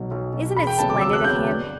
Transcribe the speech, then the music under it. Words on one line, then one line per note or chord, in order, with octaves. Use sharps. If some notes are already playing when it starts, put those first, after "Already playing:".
Isn't it splendid of him?
Already playing: B1 B2 F#3
B1
B2 F#3
E1 B5
G5
D2 C3 F#3 B3 A5
D6
E1 E6
F#6
D2 C3 F#3 B3 G6
G2